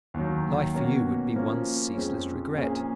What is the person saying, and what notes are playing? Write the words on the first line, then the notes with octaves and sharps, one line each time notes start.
Life for you would be one ceaseless regret.
D#2 D#3 F#3
B2 A#3 C#4 F#4 C#5
F3 A#3 C#4 F4
F2 F3 G#3 C#4
A#2 F3 A#3 C#4 G#4